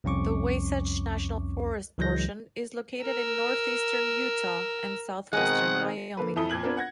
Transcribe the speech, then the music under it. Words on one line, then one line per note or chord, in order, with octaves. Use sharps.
The Wasatch National Forest portion is located in northeastern Utah and southwestern Wyoming.
C2 F2 C#4 C#6 D6
C#2 E3 F#3 G#3 G6 A#6
A#4 E6
B2 D#3 G#3 C4 F#5
D3 A#3 B4
F2 E3 E4 A4 D#6 G7
F2 A#2 G#6 F#7
B3 C4 D4 F4 A#4
F#5 G#6 A#6